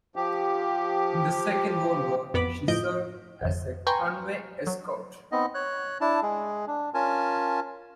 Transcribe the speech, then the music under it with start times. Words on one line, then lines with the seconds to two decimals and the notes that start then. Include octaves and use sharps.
In the Second World War she served as a convoy escort.
0.16 F3 G4
2.33 A1 F2 B3 B5 D6
2.68 G1 A2 F3 D#5 G6 D7
3.41 G#1 F2
3.87 B4 G5 G#5 A#5 C6 C#6
4.67 F#3
5.32 B3 C4 D#4 D#5
5.55 C#5 F#6
6.01 D4 E4 A5
6.23 G#3 G#4
6.68 D4
6.94 C#4 F4 A#4 G#5 A5